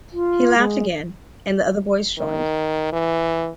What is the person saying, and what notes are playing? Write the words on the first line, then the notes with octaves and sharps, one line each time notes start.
He laughed again, and the other boys joined.
F4
G#3
D#3
E3